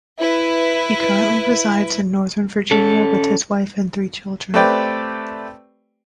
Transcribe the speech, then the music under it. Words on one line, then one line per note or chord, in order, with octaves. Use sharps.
He currently resides in Northern Virginia with his wife and three children.
E4 B4
C#4 A4
A3 C4 G4 B4 D5 G5